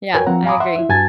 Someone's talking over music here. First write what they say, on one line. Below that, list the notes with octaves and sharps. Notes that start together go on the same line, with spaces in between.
Yeah, I agree.
F#4 A#4 B4 C#5 G5 G#5
F3 C4 F#5 A#5
F5 G#5 A#5 B5 D6 D#6
E5 F#5 C6
E4 E5
G2 F#4 G#5 A5 G#6 A6